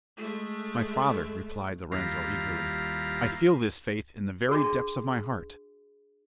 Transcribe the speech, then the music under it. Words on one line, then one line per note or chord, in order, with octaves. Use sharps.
"My father," replied Lorenzo eagerly, "I feel this faith in the very depths of my heart."
G#3 A3
D#2 G3 E4 F4 F5 A#5
D4 F#4 G#4